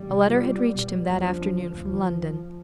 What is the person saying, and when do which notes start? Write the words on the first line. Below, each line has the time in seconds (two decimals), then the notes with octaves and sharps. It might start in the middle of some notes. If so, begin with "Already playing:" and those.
A letter had reached him that afternoon from London.
Already playing: D#3 G3
0.09 C3
0.26 F4
0.42 F4
0.58 B3
0.75 B2
0.92 B3
1.08 D#2 F3
1.25 D4
1.41 D4
1.58 D3
1.74 D2 F3
1.91 D3